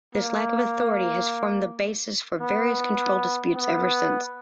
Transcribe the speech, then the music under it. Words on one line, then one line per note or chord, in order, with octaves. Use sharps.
This lack of authority has formed the basis for various control disputes ever since.
A#3
B3
B3